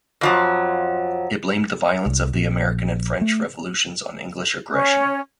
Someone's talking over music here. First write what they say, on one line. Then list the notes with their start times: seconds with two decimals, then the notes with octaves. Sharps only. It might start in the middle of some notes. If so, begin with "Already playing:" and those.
It blamed the violence of the American and French revolutions on English aggression.
0.21 F2 F3 F#3
2.06 C2
2.34 A#1
3.21 A3
4.73 C#4 C#5